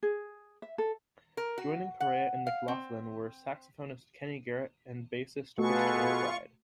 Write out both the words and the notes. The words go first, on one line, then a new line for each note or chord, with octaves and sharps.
Joining Corea and McLaughlin were saxophonist Kenny Garrett and bassist Christian McBride.
G#4
E5
A4
A#4
F#4
F#5
F5
C4
B2 A3 F4 F#4 G#4 A4 B4 C#6